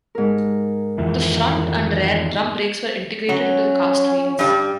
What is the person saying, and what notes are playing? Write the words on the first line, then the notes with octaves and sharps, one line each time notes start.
The front and rear drum brakes were integrated into the cast wheels.
G#2 A#4
F2 D#3 E3
F#3 C#4
G2 G3